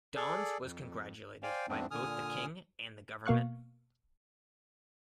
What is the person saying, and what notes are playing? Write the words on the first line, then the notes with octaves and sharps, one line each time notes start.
Dons was congratulated by both the King and the government.
G#4 A4 D5
F2
C5 D5 F5 G5 G#5
F2 G#2 A3 B3 C4 D4
A#2 D3 G#5 D#6 F6
B2 A#3 F5 C#6 F#6